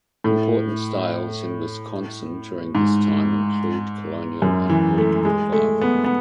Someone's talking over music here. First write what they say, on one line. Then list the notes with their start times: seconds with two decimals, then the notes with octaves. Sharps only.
Important styles in Wisconsin during this time include colonial and Greek revival.
0.24 A2
2.75 G#2
4.42 F#2
4.70 E3
4.98 A3
5.25 G#3
5.53 A3
5.81 B3
6.04 B3